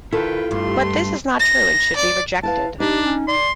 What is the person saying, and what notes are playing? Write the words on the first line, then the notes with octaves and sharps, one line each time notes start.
But this is not true and should be rejected.
D#3 E4 F4 A4 B4 G5
G2 A3 C6
A#6
D5
E4 B4 F5 A5
D4 D#4 G4
C#4
D5 C6